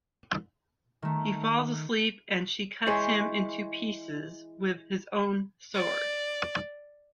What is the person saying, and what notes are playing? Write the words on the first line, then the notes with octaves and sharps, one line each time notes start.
He falls asleep and she cuts him into pieces with his own sword.
D#3 A3
E3 G#3 C5 C#5
D5